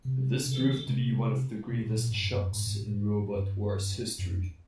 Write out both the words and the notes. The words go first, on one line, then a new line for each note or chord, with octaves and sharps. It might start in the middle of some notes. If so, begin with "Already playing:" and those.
This proved to be one of the greatest shocks in Robot Wars history.
C3
C3
D#3
D3
C3
B2
A#2
A#2
G#2
G2
G2
F#2
G#2
G#2
A2
G#2
G2
F#2
F#2
F2